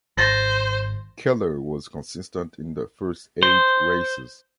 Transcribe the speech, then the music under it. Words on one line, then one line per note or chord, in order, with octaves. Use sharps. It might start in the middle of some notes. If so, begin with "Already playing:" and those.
Keller was consistent in the first eight races.
G#1 C5 A6 A#6
C5